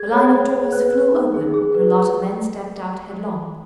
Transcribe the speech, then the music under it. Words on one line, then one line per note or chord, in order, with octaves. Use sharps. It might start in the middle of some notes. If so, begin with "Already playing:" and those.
A line of doors flew open and a lot of men stepped out headlong.
Already playing: G#4 G#6
C#5
C#5
G#4
B4 F#6
B4
D#4
G#4
G#4
B4